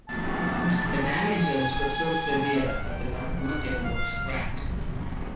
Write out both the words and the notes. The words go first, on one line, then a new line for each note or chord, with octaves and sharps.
The damages were so severe that the locomotive was scrapped.
A5
G#5
E5
F5
F#5
G5
F#5
F5